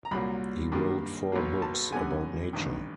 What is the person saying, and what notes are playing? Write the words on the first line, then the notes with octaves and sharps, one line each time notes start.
He wrote four books about nature.
A#5
C2 A#2 F#3 A#3 B5
G2 D#3 G3 A#3
B1 B2 F#3 A#3
A5
F#2 D3 G3 B3 G#5
A1 G2 D#3